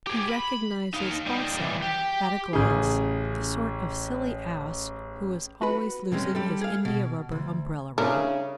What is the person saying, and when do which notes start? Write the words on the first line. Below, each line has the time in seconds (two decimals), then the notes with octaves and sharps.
He recognizes also at a glance the sort of silly ass who is always losing his indiarubber umbrella ring.
0.07 G4 G#4
0.29 B5
0.94 D#4 F5
1.27 G3 D#4
1.57 E3 G3
1.82 G4
2.53 A1 C#3 G#4
5.62 F#4 B4
6.12 G2 C3 G#3 C#4
6.35 G3 G4 A4
6.61 G#4 F5
6.85 B2
7.32 D2
7.98 C#3 G3 D4 E4 G#4 A#4